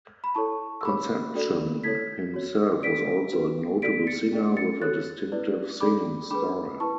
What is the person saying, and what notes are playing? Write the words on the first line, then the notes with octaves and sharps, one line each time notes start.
Concepcion himself was also a notable singer, with a distinctive singing style.
B5
E4 A4 C#5 A5 C#6
E6
G#4 C#5 B5 D6
D4 F#4 A4 D5
E4 A4 C#5 G#6 B6
F#4 C#5
D4 A4 D5 B6 D7
D4 F#4 B4
F#4 A4 D5 B6 D7
A6 C#7
D4 G#4 D5
A6 C#7
F#4 A4 C#5 F#6 A6
E4 B4 D5
D4 A4 D5 B5 D6
D4 G#4 B4 B5 D6
E4 B4 A5 C#6